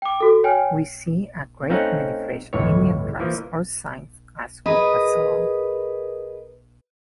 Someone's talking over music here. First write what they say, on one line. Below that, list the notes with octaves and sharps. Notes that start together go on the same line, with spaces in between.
We see a great many fresh Indian tracks or signs as we pass along.
G5 D6
F#4 A4
C#5 G5 G#5 F6
A3 C4 C#4 D#4 F5 F#5
G1 C#2 A2 E3 C#5
E3 F3 A#3
G#4 A#4 B4 D#5